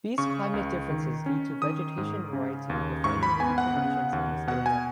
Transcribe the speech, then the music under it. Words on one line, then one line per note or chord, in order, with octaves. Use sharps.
These climate differences lead to vegetation variety defining the ecoregions in this area.
C#3 C#6
C#2
D#3
C#4
D#3 D#6
G#2
C#3
D#2
G#2 C#6
B5
B3 G#5
F#5
C#3
D#2
B2 F#5
G#5